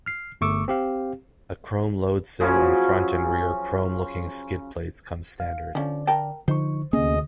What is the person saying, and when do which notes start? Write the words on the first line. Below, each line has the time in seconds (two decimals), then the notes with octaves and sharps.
A chrome loadsill and front and rear chrome looking skid plates come standard.
0.06 F6 C7
0.41 G1 A3 C#6 D6 E6
0.68 C4 G4 F5
2.40 C#3 F3 F#3 C#4
5.40 F5
5.75 D3 F3 C#4 D5
6.07 A#4 G5 A5
6.48 D3 F3 D#4 C5 C#6
6.93 D2 C3 A#3 C#4 G#4 D#5